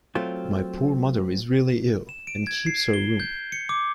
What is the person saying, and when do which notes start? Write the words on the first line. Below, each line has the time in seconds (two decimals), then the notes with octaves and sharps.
My poor mother is really ill, and keeps her room.
0.15 F#3 A3 C4 F4
2.09 E7
2.27 D7
2.47 G#6
2.66 C7
2.94 G7
3.20 G6
3.52 C#7
3.69 D6